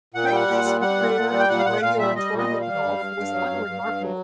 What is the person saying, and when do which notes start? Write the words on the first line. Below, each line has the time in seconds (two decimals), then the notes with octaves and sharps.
Quigley's career in regular tournament golf was unremarkable.
0.14 A#2 F#5
0.25 G5
0.31 G3 F#5
0.48 A#2
0.65 G3
0.81 G3 F#5
0.98 A#2
1.15 A#2
1.32 G3
1.39 G5
1.48 A#2 F#5
1.59 F5
1.66 A#2 F#5
1.82 A#2 F5
1.99 G3 E5
2.16 G3 D#5
2.33 A#2
2.38 D#5
2.49 G3
2.61 G3 F5
2.83 G2
2.99 G2
3.17 G2
3.33 F#3
3.50 G2
3.66 G2
3.84 G2
4.00 F#3